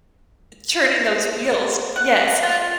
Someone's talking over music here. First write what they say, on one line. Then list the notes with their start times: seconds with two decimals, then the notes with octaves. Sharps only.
turning those wheels yes,
1.96 F#5
2.43 F4